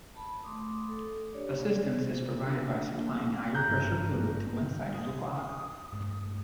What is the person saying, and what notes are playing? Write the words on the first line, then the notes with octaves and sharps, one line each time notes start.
Assistance is provided by supplying higher-pressure fluid to one side of the block.
A5 B5
A3 C6 D6 D#6
A4
D4 G4 C#5 D5
C5
D3
A#1
D#1
G#1 G2 A#5 F#6 G6
D#6
G2 G#3 A3